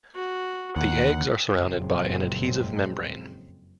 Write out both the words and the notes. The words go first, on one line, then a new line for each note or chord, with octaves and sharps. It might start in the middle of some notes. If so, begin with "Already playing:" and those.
The eggs are surrounded by an adhesive membrane.
F#4
D#2 F#5
F#1 F2 A#2 F#3 G#3 C4